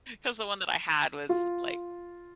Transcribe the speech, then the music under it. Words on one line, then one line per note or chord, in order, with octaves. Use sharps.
'cause the one that I had was, like,
F4